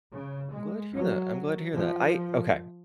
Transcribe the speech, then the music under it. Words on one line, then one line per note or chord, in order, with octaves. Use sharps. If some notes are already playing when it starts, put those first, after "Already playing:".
I'm glad to hear that, I'm glad to hear that, I okay,
C#3
G#3
F#3
F3